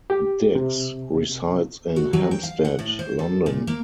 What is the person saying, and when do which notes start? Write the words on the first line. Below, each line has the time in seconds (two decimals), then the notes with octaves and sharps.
Dicks resides in Hampstead, London.
0.10 G4
0.55 C3
1.96 F#4
2.13 F#3
2.31 G5
2.43 F5
2.65 F#5
2.79 A2
2.99 C5
3.19 A4
3.46 A#2
3.67 A#3